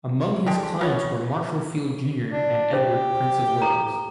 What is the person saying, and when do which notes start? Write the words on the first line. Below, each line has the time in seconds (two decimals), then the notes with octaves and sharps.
Among his clients were Marshall Field Junior and Edward, Prince of Wales.
0.46 D3 G#3 G4
0.81 B3 F4 C#5
2.29 D4
2.73 G4 C5
3.62 A4 A#5